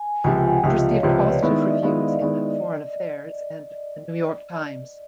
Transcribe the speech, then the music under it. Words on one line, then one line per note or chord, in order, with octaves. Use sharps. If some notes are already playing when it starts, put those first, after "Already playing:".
It received positive reviews in "Foreign Affairs" and "The New York Times".
Already playing: G#5
C#2 C3 F3 G#5
G5
F#5
C#2 C3 F3 F5
D#5
C#5
C#2 C3 F3 B4
C#5
D5
D#3 G#3 B3 E4 D#5
D5
E5
D#3 G#3 B3 E4 F5
D#5
D5
D#3 G#3 B3 E4 D5
D#5